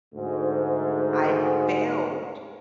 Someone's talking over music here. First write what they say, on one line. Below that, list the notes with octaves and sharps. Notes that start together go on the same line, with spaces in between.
I failed
D2 G#2